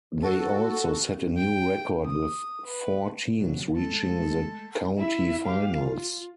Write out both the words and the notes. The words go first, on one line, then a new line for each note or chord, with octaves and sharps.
They also set a new record with four teams reaching the county finals.
F#4 A4
G5
D#6
B4
B2 F#3
G#3 A3 A4
E4 E5
G4 F5
F4